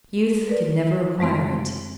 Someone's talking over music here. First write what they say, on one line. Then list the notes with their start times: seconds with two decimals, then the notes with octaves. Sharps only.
Youth can never acquire it.
0.47 A#4 B4 D5
1.19 F#2 G#3 A3 C4 C6